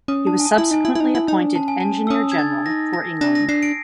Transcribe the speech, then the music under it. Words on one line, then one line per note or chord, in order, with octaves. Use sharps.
He was subsequently appointed engineer-general for England.
C#4 D#6
D4 A5
G#5
A5
E4
D#4 G#5
E4
E4
D#4
E4
D#4
D4
C#4 A5
G#5
A5
E6
C#4 D#6
G#6
D4 A6
D#4 A#6
A#6
D4 A#6
A#6
D4 C7
D7